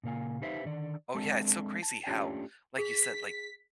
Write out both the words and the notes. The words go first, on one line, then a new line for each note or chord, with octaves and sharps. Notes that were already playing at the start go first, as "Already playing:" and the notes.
Oh, yeah it's so crazy how, like you said, like
A#2 C#3 A#3 F5 G#5
D#4 G4 B4 C5 E5 F5
D3 D#3 D5
G#3 C4 D4 A4 E5 A5
A5
A3 C#4 D4 F4 G4 C#5
G#4 B6